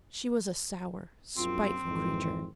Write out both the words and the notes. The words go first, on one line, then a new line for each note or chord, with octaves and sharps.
She was a sour, spiteful creature.
A#1 F#2 C4 F4
G#1 F2 E3